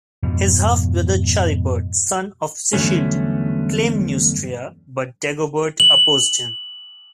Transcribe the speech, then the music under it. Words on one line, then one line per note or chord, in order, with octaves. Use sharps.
His half-brother Charibert, son of Sichilde, claimed Neustria but Dagobert opposed him.
F2 G#2 B2 F3
E2 G2 D3 F#3 A3 C#4
F#7